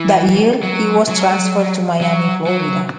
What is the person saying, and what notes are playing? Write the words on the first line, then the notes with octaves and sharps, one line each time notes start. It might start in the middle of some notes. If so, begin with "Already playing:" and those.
That year, he was transferred to Miami, Florida.
Already playing: E3
F#3
F#3
F#3
F#3